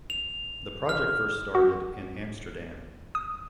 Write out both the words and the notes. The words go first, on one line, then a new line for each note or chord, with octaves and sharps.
The project first started in Amsterdam.
F7
F6
F#4
D#6